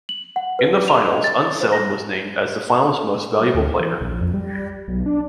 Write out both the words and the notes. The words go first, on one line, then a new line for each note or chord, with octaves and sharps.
In the Finals, Unseld was named as the Finals Most Valuable Player.
F#7
F#5
B4
F7
D#5
A6
C5
A#6
G3
D2
E3
A#1
F2
G3
B1
D4